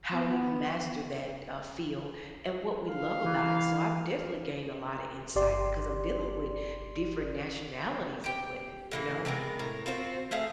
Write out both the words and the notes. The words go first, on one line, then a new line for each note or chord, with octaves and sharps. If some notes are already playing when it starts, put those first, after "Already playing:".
How we master that, uh, field and what we love about it, so I've definitely gained a lotta insight because I'm dealing with different nationalities of women, you know?
B3
F5
E3
G1 G4 D5 C6
G4 G5
A2 E3 A#3
C3 G#3 B3 A#4
A2 A#4
C4 F4 F#4 C5
A3 G#4 E5 F5